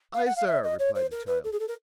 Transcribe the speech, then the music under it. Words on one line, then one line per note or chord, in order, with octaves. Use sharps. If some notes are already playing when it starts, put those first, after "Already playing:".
"I, sir," replied the child.
F5
F#5
F5
E5
D#5
C#5
C5
A#4
B4
A4
G#4
A4
A#4